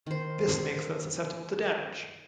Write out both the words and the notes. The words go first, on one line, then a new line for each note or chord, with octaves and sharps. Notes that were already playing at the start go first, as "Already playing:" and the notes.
This makes them susceptible to damage.
D#3 C5